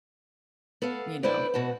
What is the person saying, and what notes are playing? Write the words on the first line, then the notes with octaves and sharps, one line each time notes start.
you know,
B3 A4 B4 F5
D4 E4 B4 C5 D5
B2 F#4 B4 A5